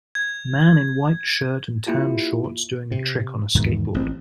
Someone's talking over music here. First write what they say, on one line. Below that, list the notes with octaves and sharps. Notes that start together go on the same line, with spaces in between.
Man in white shirt and tan shorts doing a trick on a skateboard.
G#6
A#3 E4 F4 G4
C3
E2 G#2 B2 D#3
A1 C4